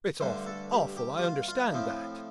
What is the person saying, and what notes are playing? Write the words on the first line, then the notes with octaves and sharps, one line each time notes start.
It's awful, awful, I understand that!
G2 D3 A3 C5
A4
G4
G4
G4
F4
F4
A2 F3 C4